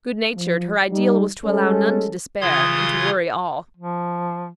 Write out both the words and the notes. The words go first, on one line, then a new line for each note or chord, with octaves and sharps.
Good-natured, her ideal was to allow none to despair, and to worry all.
F3
G3 D#4
G3 G#3 C#4 A4
C#3 E3 F4 C6 D#6 G#6
F3